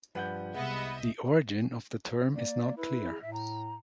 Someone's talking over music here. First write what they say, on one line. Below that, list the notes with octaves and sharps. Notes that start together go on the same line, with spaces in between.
The origin of the term is not clear.
G2 F3 G3 B4 F#5 G6
C2 G#3 B3 D#5 E5
A#3 D5
E4 B4
G#4
A2 E5
A#5